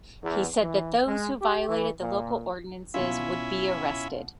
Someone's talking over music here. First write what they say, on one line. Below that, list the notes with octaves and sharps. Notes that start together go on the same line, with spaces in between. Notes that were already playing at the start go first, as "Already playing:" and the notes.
He said that those who violated the local ordinances would be arrested.
E2
E3
G#3
G4
E3
A#2
B2 C#4 E4 F4 E5